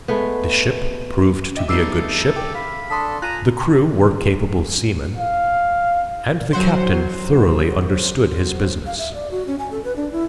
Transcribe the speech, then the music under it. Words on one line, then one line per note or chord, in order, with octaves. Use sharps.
The ship proved to be a good ship, the crew were capable seamen, and the captain thoroughly understood his business.
G#3 A3 B3
G4 D#5 E5
G3 B3 D#4 A4 E5 D6 E6 C7
G5 D6
F5 B5
D4 A4 C6 D#6 B6
F4 G#5 A#5 F#6 D#7
F5
F#3 F#4 C5
F5
E5
D5
F#4
C#4
G#5
A4
B4
D4
E4